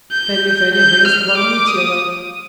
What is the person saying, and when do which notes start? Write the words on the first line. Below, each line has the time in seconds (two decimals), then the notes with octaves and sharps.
Fenya, Fenya, bring us the bottle Mitya left!
0.12 G6
0.74 G6
1.05 F6
1.37 D6
1.68 D#6